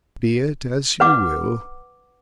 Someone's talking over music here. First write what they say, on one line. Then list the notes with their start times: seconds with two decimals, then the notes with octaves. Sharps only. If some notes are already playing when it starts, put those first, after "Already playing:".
"Be it as you will."
1.00 B4 F#5 D6